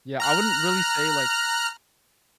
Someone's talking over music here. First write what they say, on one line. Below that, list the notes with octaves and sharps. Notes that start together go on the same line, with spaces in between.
Yeah, I wouldn't really say, like,
A#5 F6 F#6